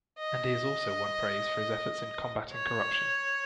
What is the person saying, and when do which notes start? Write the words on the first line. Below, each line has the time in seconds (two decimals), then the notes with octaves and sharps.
And he has also won praise for his efforts in combatting corruption.
0.19 D#5
2.53 C#5